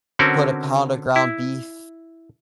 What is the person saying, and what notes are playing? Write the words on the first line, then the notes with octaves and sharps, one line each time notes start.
put a pound of ground beef
D3 C4 C#4 F#4 A#4
E4